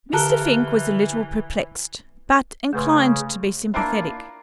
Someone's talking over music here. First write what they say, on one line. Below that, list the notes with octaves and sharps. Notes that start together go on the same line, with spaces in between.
Mr. Fink was a little perplexed but inclined to be sympathetic.
D3 E3 A4 A#4 F#6 G7
C#3 A3 B4 C6
A#3 D4 E4 F4